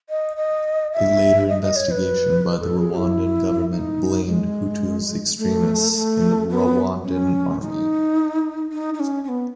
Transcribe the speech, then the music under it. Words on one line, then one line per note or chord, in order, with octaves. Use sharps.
A later investigation by the Rwandan government blamed Hutu extremists in the Rwandan army.
D#5
D#5
E5
D#5
D#5
C#5
B4
A4
G#4
E4
D#4
G#3
A3
A3
B3
C#4
D#4
D#4
D#4
C#4
C#4
B3